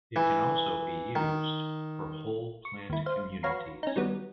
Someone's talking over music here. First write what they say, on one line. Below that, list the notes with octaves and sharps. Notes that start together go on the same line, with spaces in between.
It can also be used for whole plant communities.
E3
D#3
C#6
D#2 E4
C5 F5
F#4 B4 C#5 F5 A#5 C6
C#4 D#4
D#3 F#3 G3 B3